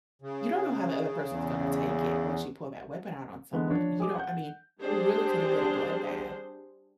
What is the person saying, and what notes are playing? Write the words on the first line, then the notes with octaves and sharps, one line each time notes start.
you don't know how the other person's gonna take it once you pull that weapon out on someone, you don't I mean, it really coulda been a bloodbath,
C#3
E2
D3 E3 G#3 B3 B4
F3 D4 F4 C#5
G#3 G#4 D6
F#5 G6
G3 C4 D4 G4 G#4 C5